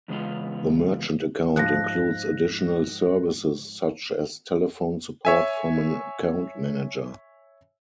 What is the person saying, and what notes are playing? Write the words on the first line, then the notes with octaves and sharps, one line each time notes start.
The merchant account includes additional services such as telephone support from an account manager.
E2 C#3 G#3 B3 F4
G#2 F3 F#6 A#6
C#5 E5 G#5